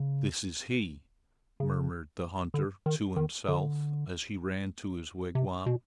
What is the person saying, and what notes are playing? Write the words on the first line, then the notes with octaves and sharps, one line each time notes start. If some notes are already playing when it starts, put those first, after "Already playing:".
"This is he!" murmured the hunter to himself as he ran to his wigwam.
Already playing: C#3
C#3
D3
D#3
D#3
D3
C3
B2